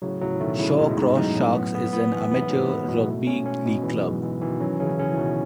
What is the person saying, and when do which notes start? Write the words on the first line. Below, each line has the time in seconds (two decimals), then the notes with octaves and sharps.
Shaw Cross Sharks is an amateur Rugby League club.
0.02 A2 C#3 F#3
0.21 A2 C#3 F#3
0.32 E3
0.40 B2 D#3 A3
0.59 A2 C#3 E4
0.78 G#2 B2 G#3
0.89 A2
0.97 G#2 B2 D#4
1.16 F#2 A2 D#4
1.35 F#2 A2
1.54 B3
1.75 B3
1.93 B3
2.12 E3
2.31 G#2 B3
2.42 A2
2.50 G#2 F#3
2.69 F#2 E4
2.88 G#2 B2
3.07 A3
3.27 C#4
3.46 C#4
3.65 B2
3.84 G#2 E3
3.95 F#2
4.03 G#2 G#3
4.22 F#2 E3
4.42 B2 D#3 E3
4.60 D#3 F#3 C#4
4.80 C#3 E3 C#4
4.98 C#3 E3 C#4
5.12 E3
5.17 B2 D#3 F#3